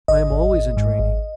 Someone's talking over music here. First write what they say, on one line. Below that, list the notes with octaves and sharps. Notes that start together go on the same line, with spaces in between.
"I am always in training."
G#1 D#5
G#1
G#1
G#2
G#1